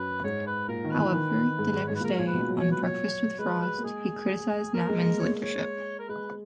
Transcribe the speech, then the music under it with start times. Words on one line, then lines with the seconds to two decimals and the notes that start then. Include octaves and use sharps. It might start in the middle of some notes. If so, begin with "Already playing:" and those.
However, the next day, on "Breakfast with Frost", he criticised Knapman's leadership.
Already playing: F#2 B4
0.24 G#2 C#5
0.47 B4
0.68 A#2 A#4
0.85 D#3
0.91 B4
0.98 E3
1.14 D#3
1.59 G#2
1.73 G#2
1.87 G#2 C#5
1.95 B4
2.00 A#2
2.04 G#2 A#4
2.19 A#2 C#5
2.27 B4
2.33 B2
2.48 F#3
2.60 C#5
2.72 B4
2.83 C#5
3.39 G#3 B4
3.61 B4
3.78 A#3
3.84 G#3 G#4
4.74 A#3 A#4
4.89 G#3
4.96 A#4
5.03 G#3
5.20 C#5
5.43 C#5
5.99 A#4
6.09 G#3 B4